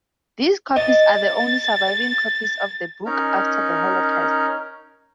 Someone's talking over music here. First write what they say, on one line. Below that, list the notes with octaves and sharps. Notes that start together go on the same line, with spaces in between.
These copies are the only surviving copies of the book after the Holocaust.
D#5 A6
C#4 D#4 A#4